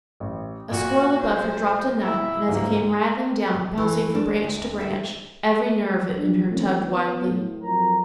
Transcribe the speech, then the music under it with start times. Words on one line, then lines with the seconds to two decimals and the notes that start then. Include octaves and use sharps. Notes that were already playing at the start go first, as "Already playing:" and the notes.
A squirrel above her dropped a nut, and as it came rattling down, bouncing from branch to branch, every nerve in her tugged wildly.
0.20 A1
0.71 A#2 F#4
1.21 C5
2.01 E4
2.48 C#2 G#2 A#3
3.78 E3
4.15 D4
4.44 D2
4.81 E5
6.18 A#2 G3 D4
6.50 D#3 F3 A3 C4 C#4
6.86 B3
7.29 A2
7.63 F2 F#3 A#4 A#5